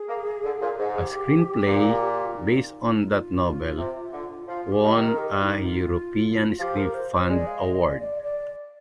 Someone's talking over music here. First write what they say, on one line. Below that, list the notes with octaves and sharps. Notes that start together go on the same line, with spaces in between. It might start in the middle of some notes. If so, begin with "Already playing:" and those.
A screenplay based on that novel won a European Script Fund Award.
Already playing: G#4
A#3
D3
A#2
G#2
G#4
G4
A#2
G4
F4
D#4
D#4
F4
C3
D3
F3 F4
G4
D#3
A#4
G4
D#4
F4
F3 G4
A#4
C5
C5
G#3 D5
F5
D#5
D5
D5
D5